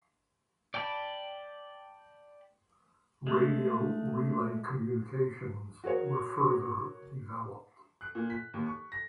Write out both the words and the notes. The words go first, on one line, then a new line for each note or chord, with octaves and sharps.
Radio relay communications were further developed.
D5 G5 A5 B5
G#3 A3
F#4 G#4 A#4 C#5
F#6
A#2
B6
D#2
C#6
A#6